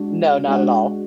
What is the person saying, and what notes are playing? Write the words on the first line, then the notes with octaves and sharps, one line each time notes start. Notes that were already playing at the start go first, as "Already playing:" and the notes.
No, not at all.
Already playing: G#3 D4 F#4
G#3 D4 F#4